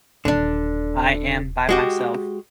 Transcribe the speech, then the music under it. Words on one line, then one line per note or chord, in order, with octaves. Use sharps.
I am by myself.
D#1 D3 D4
G#3 F#4 G4